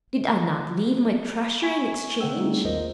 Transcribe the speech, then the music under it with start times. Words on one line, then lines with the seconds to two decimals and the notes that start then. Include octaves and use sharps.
"Did I not leave my treasure in exchange?"
1.63 G#5 C#6 G#6
2.20 D3 A3 F#5 G5 E6
2.37 G3 A3 C4 C#4 D#4 G#4
2.65 A1 D#2 F4 A#4 C5 D#5